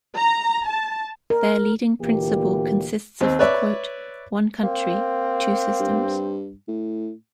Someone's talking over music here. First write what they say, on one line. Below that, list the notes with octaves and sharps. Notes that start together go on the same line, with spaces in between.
Their leading principle consists of the quote "One country, Two Systems".
A#5
A5
A#4
D2 A#2 E3 A#3 G4
D#2 C4
B4 C#5 D5 E5
A#3 C4
G2
A2